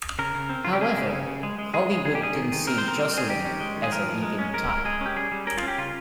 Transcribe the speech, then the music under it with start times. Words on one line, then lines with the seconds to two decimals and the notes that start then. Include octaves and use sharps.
However, Hollywood didn't see Joslyn as a leading type.
0.19 C#3 A#4
0.35 C#3
0.49 C4
0.65 C#3 F4
0.73 G4
0.81 C4 G#4
0.97 C#3
1.12 C#3
1.28 C#3
1.43 G#3
1.59 G#3
1.74 G#3 G#4
1.90 G#3
2.05 D#3 G#4
2.15 G4
2.21 G3 G#4
2.36 D#3
2.52 D#3
2.67 C4 A#4
2.78 C5
2.83 C4 A#4
2.99 G3
3.13 C4 G#4
3.29 D#3 G4
3.45 C#4
3.61 G#3
3.76 D#3
3.84 G#4
3.92 F3 A#4
4.08 F3
4.23 G#3
4.39 C#4
4.54 G#3 A#4
4.69 G#3 A#4
4.85 G#3 G#4
5.01 C#4 G4
5.16 G3 G#4
5.32 G3
5.47 C#4 A#4
5.57 F4
5.63 C#4 G4
5.78 C#3 F4